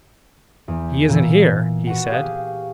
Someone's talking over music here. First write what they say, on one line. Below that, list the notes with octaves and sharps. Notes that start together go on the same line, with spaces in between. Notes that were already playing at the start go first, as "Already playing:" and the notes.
"He isn't here," he said.
E2
A#2 E3
F#4 B4 F#5
G4 G#4 F5